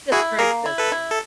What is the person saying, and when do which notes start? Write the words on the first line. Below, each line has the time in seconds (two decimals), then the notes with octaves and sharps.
Just for existing.
0.12 E4 F#4 G#4
0.38 A#3 G#4 A#4
0.66 E4
0.78 A4 B4
0.92 E4
1.11 A4